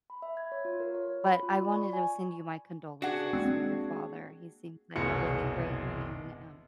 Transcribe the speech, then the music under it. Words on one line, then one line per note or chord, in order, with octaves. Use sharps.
but I wanted to send you my condolences for your father, he seems like a really great man, um,
B5
E5
G#6
C#5
F4
A#4
C#5
B5
F4
D5
C#6
G#5
D4 F#4 G#4 F#5
G#3 A#3 C4
F#1 C2 B2 G#4 C#7